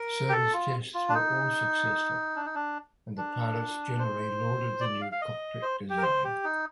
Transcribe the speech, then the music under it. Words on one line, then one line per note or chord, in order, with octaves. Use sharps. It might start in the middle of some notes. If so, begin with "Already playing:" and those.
Service tests were all successful, and the pilots generally lauded the new cockpit design.
Already playing: A#4
G4
A4
F4
F4
D4
D#4
D4
D#4
D4
D4
C5
D5
F5
F5
D#5
C5
G4
A#4
C5
G4
D#4